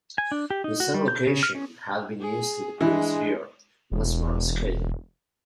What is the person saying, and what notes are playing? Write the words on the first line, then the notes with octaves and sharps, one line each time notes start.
That same location had been used the previous year, on a smaller scale.
G#5
D4
G4
D#4
F#4
G3
G6
C#3
F6
C#4
G#4
E3 G#3 D4
E1